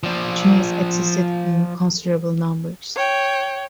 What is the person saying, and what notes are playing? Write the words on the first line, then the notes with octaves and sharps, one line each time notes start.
Jinetes existed in considerable numbers.
F3 D5
C#5 G5